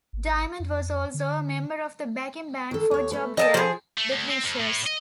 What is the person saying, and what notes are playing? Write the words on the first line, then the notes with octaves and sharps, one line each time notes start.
Diamond was also a member of the backing band for Jobriath, The Creatures.
G#1
F2
D3
D#3 A4
D#2 C#5
A3 B4
A4 A#4 D#5 E5 G5 A5
F3 G#4
A3
D2
C4
F2
A2
D#5